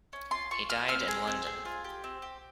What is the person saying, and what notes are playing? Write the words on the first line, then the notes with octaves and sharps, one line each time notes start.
He died in London.
C#4
F4 C6
F4 C#6
F4 F6
C4 F6
G#4
C4
G#4
F4
G4
C4
G4